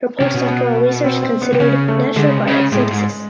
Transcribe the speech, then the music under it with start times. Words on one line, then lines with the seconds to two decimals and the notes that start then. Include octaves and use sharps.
Her postdoctoral research considered natural product synthesis.
0.20 C3 C#4
0.35 B2
0.48 B3
1.04 C4
1.23 C4
1.42 B3
1.53 C3
1.60 C#3 C#4
1.88 A3
2.16 D3 G#3
2.26 C#3
2.37 C3
2.47 C#3
2.72 A2 G#3
2.91 G#2